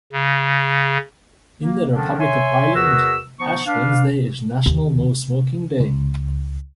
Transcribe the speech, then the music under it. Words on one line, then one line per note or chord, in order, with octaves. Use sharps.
In the Republic of Ireland, Ash Wednesday is National No Smoking Day.
C#3
A#3
D3 D#3 F3 A#3 C#4 D4
C#5 E5 G#5 C6
E2 F#4 G#4 A#4 B4 E6
F3 B3 D#4 C#6
D4 B4 F5
D#2
C#2